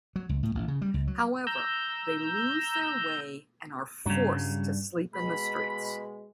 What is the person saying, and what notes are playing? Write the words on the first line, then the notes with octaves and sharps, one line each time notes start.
However, they lose their way and are forced to sleep in the streets.
F#3
C#2
A2
A1
C#3
G3
C#2
F#3
A#5 E6 G6
G2 C#3 F#3 G3 D4
B2 G#3 B5